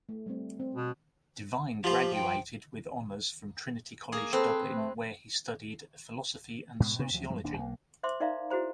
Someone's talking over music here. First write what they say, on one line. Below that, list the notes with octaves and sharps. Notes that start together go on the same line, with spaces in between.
Devine graduated with honours from Trinity College, Dublin, where he studied philosophy and sociology.
A3
G3 A3 C4
C4
B2
F3 F4 G4
G5
A#3 G#4
C4 A4 B4
A3
G#2 B2 G#3
B2 B3 C#4
D2 F3 F#3
G2 F3 G#3
D#1 D#2 D4
B1 A#3
C5 E5 C6 D6
D#4 A#4 D5 E5 F5 A#5
E4 F#4 G#4 C5 A#5